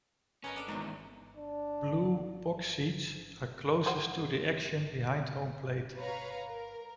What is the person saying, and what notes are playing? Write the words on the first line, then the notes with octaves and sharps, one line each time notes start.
Blue "box seats" are closest to the action behind home plate.
B3 C#4 A#4 D#5
D4 A4 D5
E2 G#2 C3 D#3 F#3
D4
G3 C5 F#5
B4 C#5 F5 A#5
A#4